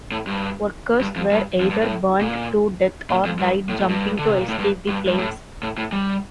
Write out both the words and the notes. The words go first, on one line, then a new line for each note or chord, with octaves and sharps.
Workers were either burned to death or died jumping to escape the flames.
A2
G2
G2
F2
G2
F2
G2
A2
A#2
A#2
F2
G2
A2
A2
G2
D3
C3
A#2
A2
G2
G2
G2
A2
A2
A2
G3